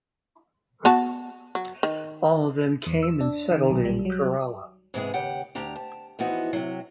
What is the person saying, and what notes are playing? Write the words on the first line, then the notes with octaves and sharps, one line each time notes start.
All of them came and settled in Kerala.
B3 F#4 A5
F#3
D#3
E2
E6
D4
D#3
B1
G3
F#3
G#2 C3 E3 G#3 B3 G#4
D#2 C#3 G4 F#5
D2 D4 G4 A#5
A5
E3 F3 B3 D#4 F#4
C3 F#3